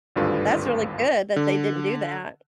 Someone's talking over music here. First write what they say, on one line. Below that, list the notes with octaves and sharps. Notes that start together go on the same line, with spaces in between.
That's really good that they didn't do that.
G#1 D2 G2 F4 A4 B4
D3